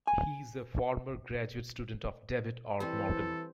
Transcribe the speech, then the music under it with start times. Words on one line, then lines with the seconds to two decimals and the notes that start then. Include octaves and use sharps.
He is a former graduate student of David R. Morgan.
0.07 G#5
2.80 E3 G3 C4 E4 A4 B4